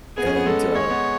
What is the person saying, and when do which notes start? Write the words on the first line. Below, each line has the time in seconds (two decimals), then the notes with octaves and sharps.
and, uh,
0.17 B3 G#4
0.26 C#4
0.36 B3
0.46 G#3 A4
0.75 G#3 C#5
0.90 B3